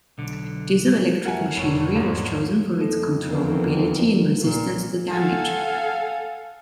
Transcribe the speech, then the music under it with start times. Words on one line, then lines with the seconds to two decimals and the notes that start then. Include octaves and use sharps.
Diesel electric machinery was chosen for its controllability and resistance to damage.
0.18 B1 D3
1.24 F#2 B2 A3 A#4 F#5 G#5
1.57 F1 D4 C#5
1.95 E2 G#2 A#3
2.79 F2 A#3 A4
3.28 E2 F3 C4 D4 A#4 B4
4.12 D3
4.42 B1 A#2
5.10 A4 F5 F#5 G#5